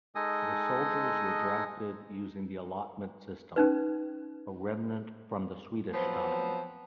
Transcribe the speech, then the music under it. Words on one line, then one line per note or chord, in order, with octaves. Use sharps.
The soldiers were drafted using the allotment system, a remnant from the Swedish time.
G#3 D#4 A4 D#5 G#5 D#6
C#4 D#4 B4
F3 F#3 B3 C4